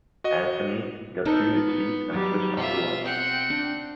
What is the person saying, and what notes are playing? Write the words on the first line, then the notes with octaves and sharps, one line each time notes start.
Anthony got to his feet and switched on the lights.
F#4 D#5
B3 D#4 A4 A#4
D#3 F#3 G3
B2 F4 E5
C4 F#5 G5
D4